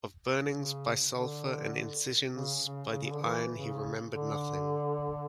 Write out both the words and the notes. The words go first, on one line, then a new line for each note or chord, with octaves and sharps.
Of burnings by sulphur and incisions by the iron he remembered nothing.
C#3
D3
C#3
C#3
C#3
C#3
D3
E3
C#3
D3